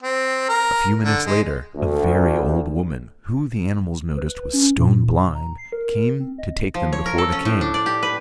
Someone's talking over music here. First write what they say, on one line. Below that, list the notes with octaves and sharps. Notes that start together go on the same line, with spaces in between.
A few minutes later, a very old woman, who, the animals noticed, was stone-blind, came to take them before the king.
C4
A#4
D3
G#3
D2
B4
C#4
A#2
A#5
C7
A#4
C4
D#5
F3
C#5
A#4
A4
C#4
A2
D4
D5
G4
B4